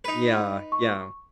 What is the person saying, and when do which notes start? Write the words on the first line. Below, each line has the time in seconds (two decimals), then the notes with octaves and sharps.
Yeah, yeah.
0.04 D#4 B4
0.72 C#6